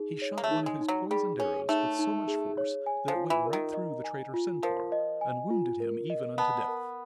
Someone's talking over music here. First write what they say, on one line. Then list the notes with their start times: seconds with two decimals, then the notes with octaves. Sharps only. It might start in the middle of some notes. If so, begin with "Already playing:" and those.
He shot one of his poisoned arrows with so much force that it went right through the traitor Centaur, and wounded him even unto death.
Already playing: D#4 G#4
0.22 C#5
0.38 A#3
0.44 A3
0.51 D#4
0.66 G#3
0.80 D#4
0.88 F#3
1.11 G3 G#4
1.39 C#4 C#5
1.69 A3 D#4
1.99 D#4
2.28 G#4
2.58 C#5
2.86 G#5
3.08 F3
3.15 F4
3.30 E3
3.46 A#4
3.53 D#3
3.74 D#5
4.04 G#5
4.34 F4
4.63 F3 A#4
4.92 D#5
5.21 G#5
5.50 F4
5.80 A#4
6.10 D#5
6.38 B3 A5
6.68 A#4